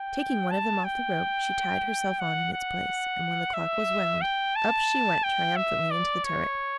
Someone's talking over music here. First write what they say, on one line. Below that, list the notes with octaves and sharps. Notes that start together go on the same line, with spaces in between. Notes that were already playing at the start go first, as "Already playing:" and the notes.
Taking one of them off the rope, she tied herself on in its place, and when the clock was wound, up she went triumphantly into the turret.
Already playing: G5
A5
G5
F#5
F#5
E5
G5
A5
G5
E5
D5
C#5